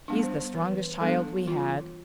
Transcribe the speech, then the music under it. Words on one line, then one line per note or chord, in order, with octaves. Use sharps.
He's the strongest child we had.
G3 B3 D4
C5
E3 B4
G3 B3 D4 A4
E3 F4